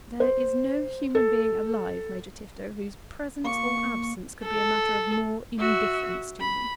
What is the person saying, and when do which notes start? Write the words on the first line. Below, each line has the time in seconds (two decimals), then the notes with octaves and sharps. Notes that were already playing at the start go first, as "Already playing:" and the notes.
"There is no human being alive, Major Tifto, whose presence or absence could be a matter of more indifference to me."
0.20 C5
1.15 A4
3.44 A#3 C6 C#6
4.46 A4
5.59 F#4 E5
6.40 B5